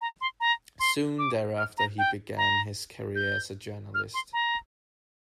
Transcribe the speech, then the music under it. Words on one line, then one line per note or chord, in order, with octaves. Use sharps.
Soon thereafter, he began his career as a journalist.
A#5
C6
A#5
C6
D6
F6
A#5
G5
A#5
G6
F6
C6
A#5